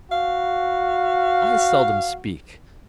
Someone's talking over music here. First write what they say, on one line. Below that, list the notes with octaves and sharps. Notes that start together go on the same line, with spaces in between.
I seldom speak.
F#4 F5